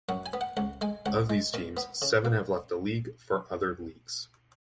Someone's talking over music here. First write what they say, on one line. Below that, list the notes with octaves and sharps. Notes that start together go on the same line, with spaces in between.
Of these teams, seven have left the league for other leagues.
F#2 F#5
G#5
B3
F#5
C#2 F#5
G#3 G#5
C#2 F#5
G#3
A#2
B3
C#3
A#3